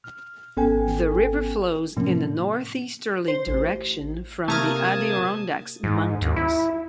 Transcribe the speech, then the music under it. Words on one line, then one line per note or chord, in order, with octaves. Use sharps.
The river flows in a northeasterly direction from the Adirondack Mountains.
F6
G#1 B3 C#4 A4 G5 G#5
A2 C3 F3 A#3 C#4
C5
A1
C3 A3 A#3 A5 A#5 D#6 F6 G#6
G#2
D#2
E4